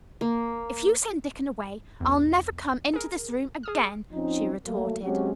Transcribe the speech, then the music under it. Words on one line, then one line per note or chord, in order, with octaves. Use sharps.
"If you send Dickon away, I'll never come into this room again!" she retorted.
A#3
B1 E2
G#4 A#4
G#4 D#6 F6
F3 C4 C#4 D#4
F#3 A3 A#3
F#3 G#3 C4 C#4 F#4 G4